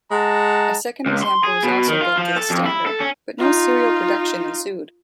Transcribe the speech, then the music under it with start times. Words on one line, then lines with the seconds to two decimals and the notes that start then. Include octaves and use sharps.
A second example was also built to this standard, but no serial production ensued.
0.11 G#3 F#5 A5 A#5
1.06 C#2
1.23 C6
1.44 G#4
1.63 B2
1.88 D#3
2.01 F4
2.18 F3
2.36 A4
2.50 F2
2.66 E4
2.86 A4
3.00 C#4
3.39 D#4 F4